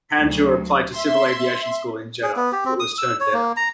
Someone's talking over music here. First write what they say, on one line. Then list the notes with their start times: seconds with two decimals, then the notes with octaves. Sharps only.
Hanjour applied to civil aviation school in Jeddah, but was turned down.
0.21 D2 F#3
0.96 E5 C6
2.23 G#4
2.36 B3
2.52 G4
2.65 C4
2.80 D#6
2.98 E6
3.20 C#5
3.33 A#3
3.56 A#5